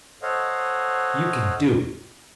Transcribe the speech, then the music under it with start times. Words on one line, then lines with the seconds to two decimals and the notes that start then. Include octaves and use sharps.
You can do it.
0.22 A4 C5 C#5 D#5 F5 F#5